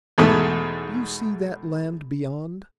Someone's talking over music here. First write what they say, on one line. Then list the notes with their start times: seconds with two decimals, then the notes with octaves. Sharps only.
Do you see that land beyond?'
0.18 E2 G#2 B2 A3